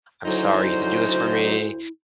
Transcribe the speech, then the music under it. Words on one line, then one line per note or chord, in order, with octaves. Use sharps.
"I'm sorry you have to do this for me."
D2 C#3 F#3 D#4 E4 C5